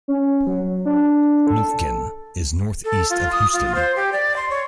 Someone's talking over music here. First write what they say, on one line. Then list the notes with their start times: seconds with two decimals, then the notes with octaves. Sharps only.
Lufkin is northeast of Houston.
0.08 C#4
0.47 F#3
0.86 D4
1.47 A4
2.85 A4
3.10 F4
3.32 D#6
3.53 F4
3.75 C5
3.96 G4
4.12 D5
4.36 C6
4.50 C#5